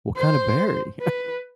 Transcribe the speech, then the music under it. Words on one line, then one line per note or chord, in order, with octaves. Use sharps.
What kind of berry?
C5
B4